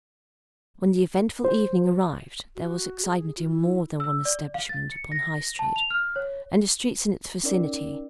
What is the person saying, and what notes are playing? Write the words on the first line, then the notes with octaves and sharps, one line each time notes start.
When the eventful evening arrived, there was excitement in more than one establishment upon High Street and the streets in its vicinity.
C5
F#4
G#4
F4
E4
E6
D5
F5
A6
C#7
A#6
A5
F7
F6
C#5
C#4 D#4 A#4 D5